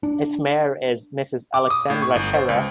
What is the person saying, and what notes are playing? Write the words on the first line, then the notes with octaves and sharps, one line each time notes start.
Its mayor is Mrs. Alexandra Scherer.
D4
D6
D#6
A2
C#6
G1
C5
C#2